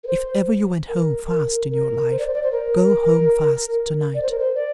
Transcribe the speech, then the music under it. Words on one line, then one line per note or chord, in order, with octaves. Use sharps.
If ever you went home fast in your life, go home fast to-night.
A#4
C5
A#4
A#4
C5
D5
C5
D5
C5
A#4
D5
C5
A#4
C5
D5